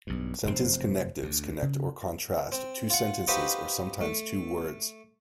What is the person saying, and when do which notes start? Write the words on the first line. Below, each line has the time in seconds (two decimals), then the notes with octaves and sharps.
Sentence connectives connect or contrast two sentences or sometimes two words.
0.07 B1 G2
0.45 F1 F#2 A2 C4
1.23 D2
1.62 C#3
2.52 C4
2.90 F4 F#5
3.28 D#4 F#4 G4 B4 C5 F5
4.01 A3